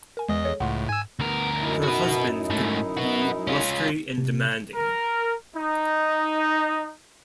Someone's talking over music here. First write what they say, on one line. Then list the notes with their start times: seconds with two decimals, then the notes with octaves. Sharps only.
Her husband could be blustery and demanding.
0.17 A#4 G#5
0.29 E2 E3 G#3 D#5
0.45 G#4 A4 C#5
0.60 C#2 A2 F#5 C6 C#6
0.89 G#2 G#5 E6
1.20 D2 B3 A#4
1.61 F#2 D#4 E4
1.83 F#4 B4
2.50 G#2 A3
2.97 F#4 B4
3.47 C#4 F4
4.18 C3
4.75 A#4
5.55 D#4